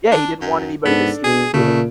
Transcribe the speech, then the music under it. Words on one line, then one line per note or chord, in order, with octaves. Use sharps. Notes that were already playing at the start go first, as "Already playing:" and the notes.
Yeah, he didn't want anybody to see what he was doing.
D4
F#2
G#2 B3 D4 A4
B2 G#4
A#2 C#3 A3